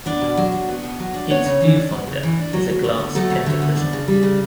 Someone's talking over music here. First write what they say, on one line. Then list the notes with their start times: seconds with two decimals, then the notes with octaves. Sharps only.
Its viewfinder is a glass pentaprism.
0.06 B3 D4 D5
0.21 B2
0.37 F#3
0.52 D4
0.69 B3
0.84 B2
1.00 F#3
1.14 D4
1.30 B3 C#4 C#5
1.46 C#3
1.61 E3
1.76 D4
1.92 B3
2.07 C#3
2.23 E3
2.38 D4
2.53 F#3
2.69 D2
2.84 D3
3.00 B3
3.15 F#3 A3 A4
3.30 D2
3.46 D3
3.62 B3
3.77 D4
3.93 C#3
4.08 G3
4.23 C#3